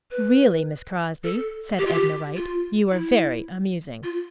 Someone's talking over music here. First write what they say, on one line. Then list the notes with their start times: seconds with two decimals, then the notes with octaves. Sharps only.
"Really, Miss Crosby," said Edna Wright, "you are very amusing."
0.11 B4
1.24 A4
1.79 G4
1.87 F4
1.93 G4
2.36 F4
2.91 E4
4.03 F4